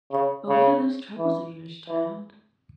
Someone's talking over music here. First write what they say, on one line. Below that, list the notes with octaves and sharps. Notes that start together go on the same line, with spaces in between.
But what are these troubles of yours, child?
C#3
C#3
E3
E3